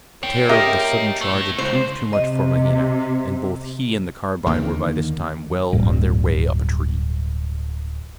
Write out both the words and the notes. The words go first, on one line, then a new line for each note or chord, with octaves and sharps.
The terror of the sudden charge had proved too much for Mahina, and both he and the carbine were by this time well on their way up a tree.
C#5 G5
G4 A#4 D#5 E5
A3 E4
C#2 C5
C3 D#5
D#2 D3 D#3 A#3
D1 G2